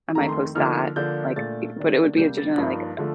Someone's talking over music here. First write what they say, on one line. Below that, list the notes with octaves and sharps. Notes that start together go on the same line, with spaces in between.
I might post that, like, I but it would be generally, like,
F2 D#3 A3 A#5
C6
D3 F3 A#3 D#4 F6
D3 F3 A#3 D4 G6
A#2 A3 D4 A6
D#3 A#3 D4
C3 G3 A#3 D4 G6
A6
G2 F3 A#3 D#4
D3 F3 A3